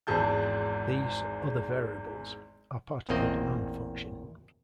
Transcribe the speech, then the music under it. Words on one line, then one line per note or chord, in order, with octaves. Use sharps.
These "other variables" are part of the demand function.
G#1 E2 G#2 G#4 A5 G6
A1 E2 A#2 A#3 C4 D#5